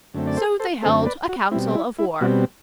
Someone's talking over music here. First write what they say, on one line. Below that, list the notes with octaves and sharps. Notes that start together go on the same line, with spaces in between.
So they held a council of war.
F#2 D3 A3 C4
D5
A4 C5
A4 C5
F#2 D3 A3 C4 A4 C5
B4 D5
F#4
B2 G3 C4 E4
E4
E4
B2 G3 C4 F#4